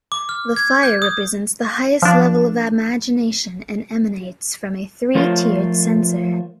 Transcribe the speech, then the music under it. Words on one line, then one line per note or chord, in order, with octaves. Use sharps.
The fire represents the highest level of imagination and emanates from a three-tiered censer.
D6
F6
G#6
G6
D#6
F3 D4
F3 A3 F4 A#4 C5 C#5